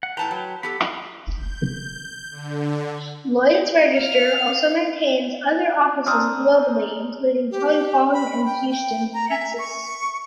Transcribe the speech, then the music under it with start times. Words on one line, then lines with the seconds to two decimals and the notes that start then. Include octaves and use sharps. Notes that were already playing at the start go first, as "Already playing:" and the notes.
Lloyd's Register also maintains other offices globally, including Hong Kong and Houston, Texas.
0.03 F#5
0.17 A2 B4 G5 A5 A#5
0.31 F#3
0.63 B3 G4 A4 B5
1.35 G6
2.31 D3
3.95 F5 F6
6.06 C4 D4 A#5 D#6 F6
7.51 G4
8.13 B5
8.46 G5
8.71 G5
9.14 A#5
9.30 E5
9.58 C#6